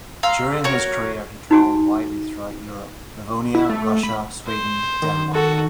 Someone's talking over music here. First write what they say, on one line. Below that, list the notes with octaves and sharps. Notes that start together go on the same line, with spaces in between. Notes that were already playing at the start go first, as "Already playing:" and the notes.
During his career, he travelled widely throughout Europe - Livonia, Russia, Sweden, Denmark.
F5 A#5 C6 E6
F#4 A#4 C#5
D#4 F#4 G#5
E4
A3
B5
C5
D#3
F#4 A4